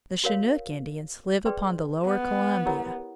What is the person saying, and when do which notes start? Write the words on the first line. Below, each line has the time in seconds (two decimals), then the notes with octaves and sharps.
The Chinook Indians live upon the lower Columbia.
0.24 F#4 A#4 C#5 F5
1.45 G#4 B4 D5 G5 C6
2.05 B3
2.66 E4 G4 A#4 C#5 F#5